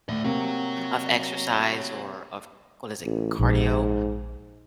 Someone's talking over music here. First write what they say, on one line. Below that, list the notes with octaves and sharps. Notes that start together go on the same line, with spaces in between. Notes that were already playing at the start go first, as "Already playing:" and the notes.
of exercise or of, what is it, cardio,
A2 D5 E5
C3 A#3 C#5 F#5
A1
A#1 G#2